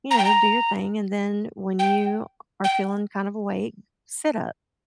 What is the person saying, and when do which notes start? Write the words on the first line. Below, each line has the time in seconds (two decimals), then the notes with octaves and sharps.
you know, do your thing, and then when you are feeling kind of awake, sit up,
0.11 A#5
0.18 G5
0.25 A#5
1.79 G5
2.64 G5